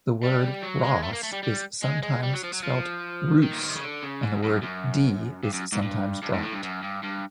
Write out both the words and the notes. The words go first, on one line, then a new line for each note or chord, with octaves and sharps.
The word "Ros" is sometimes spelt "Roos", and the word "de" is sometimes dropped.
G3
F#3
G#3
A3
A#3
A3
G3
G3
G#3
G#3
G3
F#3
F3
F#3
F3
D#3
A#2
B2
C3
C#3
D3
C#3
G#2
F#2
F#2
G2
F#2
G#2
G2
G2
G#2
A2
G2
F#2
G2
G2